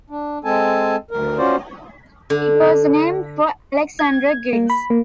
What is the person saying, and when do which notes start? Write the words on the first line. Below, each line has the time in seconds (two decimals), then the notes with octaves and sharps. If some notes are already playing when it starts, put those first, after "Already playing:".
It was named for Alexander Griggs.
0.10 D4
0.44 G#3 C4 A4 G#5 A5
1.11 D2 A#4
1.38 C#4 F4 F#4 C5 D5
2.30 D3
3.99 G#6
4.53 A#3
4.70 B5
4.90 A#3